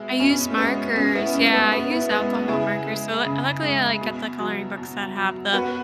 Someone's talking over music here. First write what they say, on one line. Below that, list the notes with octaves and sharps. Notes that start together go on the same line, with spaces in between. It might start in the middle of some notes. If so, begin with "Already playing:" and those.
I use markers yeah, I use alcohol markers, so lu luckily, I, like, get the coloring books that have the
Already playing: B2 G#3 E4
B2 C#4
G#3 B3
B2 C#4
B3 E4
G#3 C#4
B3
B2 B3
B3 E4
G#3 B3 E4
C#3 E4 G#4
G#3
C#3
G#3
B2
F#3
B2
F#3
B2 F#4 B4